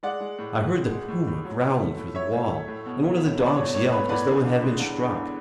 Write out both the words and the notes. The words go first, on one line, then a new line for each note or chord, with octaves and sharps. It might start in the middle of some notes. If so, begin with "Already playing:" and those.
I heard the puma growling through the wall, and one of the dogs yelped as though it had been struck.
G#3 D5 F#5
G#3
A2
A2
G#3
G#3
A2
A2
F#3
A2
A3
A2
F#3 C#5 E5
A2
A3
A2
B2
A3
F#3
E2
D5
B2 C#5
A3 C#5
F#3 B4
E2 B4 D5
D3
E2
G#3
E2
D3
E2